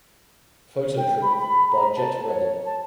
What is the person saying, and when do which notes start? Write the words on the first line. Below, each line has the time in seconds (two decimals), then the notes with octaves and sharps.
Photo trimming by Jett Rebel.
0.97 G5
1.22 B5
1.38 B5
1.71 A#5
1.96 A5
2.27 C#5
2.65 A5